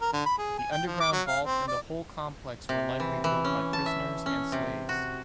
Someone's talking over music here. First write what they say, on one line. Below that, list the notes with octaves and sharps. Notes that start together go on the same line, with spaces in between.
The underground vault and the whole complex were likely built by prisoners and slaves.
A#4
D3
B5
G#4
G#5
G5
F3
D6
F#3
F5
C4
D5
C3
E3
E3
C#4
A5
E5
C#4
C3
F#4